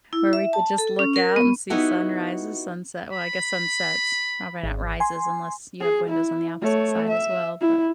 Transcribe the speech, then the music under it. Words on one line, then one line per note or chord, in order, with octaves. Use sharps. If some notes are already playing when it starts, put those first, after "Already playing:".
where we could just look out and see sunrises, sunset well, I guess sunsets. Probably not rises unless you have windows on the opposite side as well. But
E4
E5
A5
A4
C#4
A#4
B3
B3 D#4 E4 F#4 G4
B5
G#1
G#5 C6
G#4
E4
A3 C#5
E5
E4